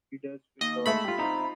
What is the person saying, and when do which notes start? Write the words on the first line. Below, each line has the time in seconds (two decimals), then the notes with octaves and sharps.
He does switch off.
0.61 D#2 D#5
0.86 G#3 A3 E5 B5
1.04 G3 F4
1.19 C3 C4 D#4 F4 A#5